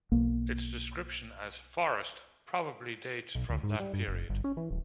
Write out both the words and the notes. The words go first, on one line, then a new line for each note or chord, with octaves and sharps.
Its description as 'forest' probably dates from that period.
B1 A#3
B1
D2
G#2
G3
G2
F#1
G1
C#4
E3
D1